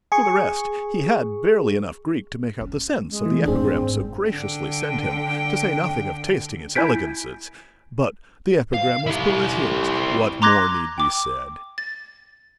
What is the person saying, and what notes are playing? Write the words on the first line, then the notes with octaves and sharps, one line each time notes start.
For the rest, he had barely enough Greek to make out the sense of the epigram so graciously sent him, to say nothing of tasting its elegances; but--the epigram was Politian's: what more need be said?
G#4 C#6
C#4
G#3
E3 A3
A1 F#2 C4 D4 G#4
G#1
D3 G5
E4 G#5 G6 G#6 B6 D7
F5
E4 G4
A#5 C6 D6 F#6 G#6 A#6
G5 D6
A6